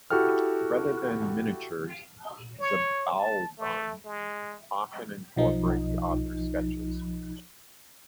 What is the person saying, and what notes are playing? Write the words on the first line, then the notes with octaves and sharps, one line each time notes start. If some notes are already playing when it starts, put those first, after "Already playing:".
Rather than miniatures, zibaldone often incorporate the author's sketches.
E4 F#4 G4 A4 G5 F6
C#5
A5
A3
G#3
B1 F3 D#4